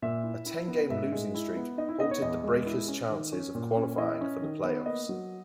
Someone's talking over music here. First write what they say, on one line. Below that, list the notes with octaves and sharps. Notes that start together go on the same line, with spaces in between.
A ten-game losing streak halted the Breakers chances of qualifying for the playoffs.
A#2 E5
E4
E4
B3
G#2 E5
G#3
E4
B3
D#4 D#5
E4
B3 D#5
C#5
E2 D#5
G#3
E4
C#4
D#3
C#4
A#2
C#4
E4 D#5
C#4
D#3
B3
A#3 D#5
F#3